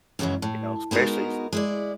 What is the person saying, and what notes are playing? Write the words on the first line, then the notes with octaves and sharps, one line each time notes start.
You know, especially s
F#2 C#3 E3 F#3 G#3
A2
G#3 B3 D#4 F#4 A#4
G#3 E4 D5